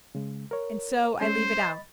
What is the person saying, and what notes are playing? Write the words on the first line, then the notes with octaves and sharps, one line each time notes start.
And so I leave it out.
C#3 G#3
A#4 C#5
G#3 C#4 C5
D#5 B5 A6